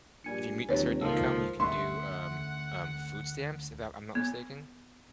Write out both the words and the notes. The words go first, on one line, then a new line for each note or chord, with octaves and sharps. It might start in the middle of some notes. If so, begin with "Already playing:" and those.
if you meet a certain income, you can do, um, um, food stamps, if that I'm not mistaken.
A#1 G3 G#5 C#7
F1 D#2 F#3 B4 C#5
C#2 D#3 F3 A#3 A4
D2 A3 C#4 E5 F#5 C6
B3